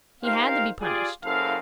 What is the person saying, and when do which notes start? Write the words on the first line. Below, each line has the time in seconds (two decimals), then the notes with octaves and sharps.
"He had to be punished."
0.24 D#4 F4 G4 A#4 C5 F5
0.81 F4 G4 G#4 D5
1.24 F#1 F#2 E4 A4 C5 F5